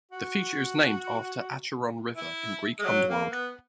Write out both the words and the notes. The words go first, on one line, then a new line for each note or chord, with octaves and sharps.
The feature is named after Acheron River in Greek underworld.
F#4
E4
G#3
F#3
A#3
B3